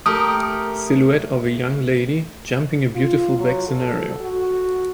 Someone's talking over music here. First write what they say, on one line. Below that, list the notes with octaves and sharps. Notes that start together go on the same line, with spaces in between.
Silhouette of a young lady jumping a beautiful back scenario.
A3 G4 A#4 D#6
F4
F#3
A4
F#4